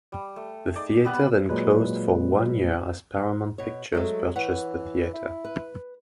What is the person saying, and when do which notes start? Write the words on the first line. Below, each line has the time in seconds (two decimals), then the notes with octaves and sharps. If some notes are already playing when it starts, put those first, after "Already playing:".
The theater then closed for one year as Paramount Pictures purchased the theater.
0.12 G3
0.36 A3
0.76 D#4 G#4 D5
1.05 G3 B3 B4 F#5
1.50 A#2 F#3 G#3 B4
3.58 B2 C#5
3.92 F#3 G#3 A3 A4
4.36 E3 B4 C#5 F#5
5.14 E4
5.44 B4